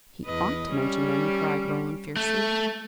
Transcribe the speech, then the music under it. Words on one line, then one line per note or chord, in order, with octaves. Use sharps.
"He ought to mention them," cried Roland fiercely.
E2 B4 D#5
G3 C#4
A3